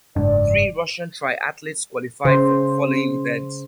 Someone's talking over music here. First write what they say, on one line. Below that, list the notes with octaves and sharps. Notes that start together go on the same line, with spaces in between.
Three Russian triathletes qualified for the following events.
F#1 G#2 D4 D5
C#3 C5